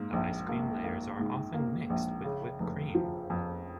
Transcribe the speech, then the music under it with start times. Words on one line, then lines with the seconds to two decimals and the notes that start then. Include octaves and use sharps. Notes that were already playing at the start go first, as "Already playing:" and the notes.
The ice cream layers are often mixed with whipped cream.
Already playing: G#2 A#3
0.13 A#1
0.49 A#3
0.84 A#3
1.19 G#2
1.54 A#3
1.90 A#1
2.24 C#3
2.60 F1
2.95 F3
3.30 F2